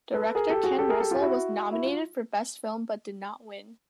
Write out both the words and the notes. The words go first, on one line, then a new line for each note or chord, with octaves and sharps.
Director Ken Russell was nominated for Best Film but did not win.
A4 B4
G#4 A#4
G4 A4
F#4 G#4
G4 A4
G#4 A#4
G4 A4
F4 G4
E4 F#4
E4
F4